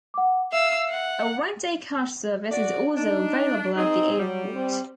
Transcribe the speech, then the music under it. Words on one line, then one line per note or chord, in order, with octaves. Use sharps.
A Rent-a-Car service is also available at the airport.
F#5 D6
E5 F5 E6
F#5
F#4 D5
D4 D#4
C4 D#4 G#4
F#3 G3
C4